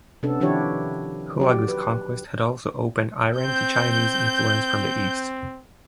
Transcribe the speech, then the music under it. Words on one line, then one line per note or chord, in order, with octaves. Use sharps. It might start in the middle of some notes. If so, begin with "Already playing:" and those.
Hulagu's conquests had also opened Iran to Chinese influence from the east.
C3 B3 C#4 D4 A4
D#3 F3 D4 E4 G4 C#5
F#3 G4 D5
B4
C4 G6